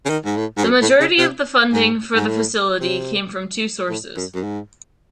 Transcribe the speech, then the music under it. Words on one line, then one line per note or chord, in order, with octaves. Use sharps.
The majority of the funding for the facility came from two sources.
C#3
D#3
G#2
A2
G#2
F#2
A2
C#3
C3
G#2
G#2
A2
C3
A2
F#2
F#2
G#2